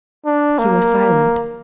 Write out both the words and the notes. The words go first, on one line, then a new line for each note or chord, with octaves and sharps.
He was silent.
D4
A#3